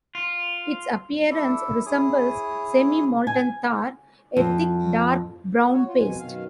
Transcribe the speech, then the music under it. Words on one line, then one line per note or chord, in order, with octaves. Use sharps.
Its appearance resembles semi-molten tar - a thick dark brown paste.
F4
D4 E4 A4 E5
E4 G#4 C#5 D#6
G#5
F2
F#4 C#5
F4
F2 B2 G#5
F#2 B2 D#3 F5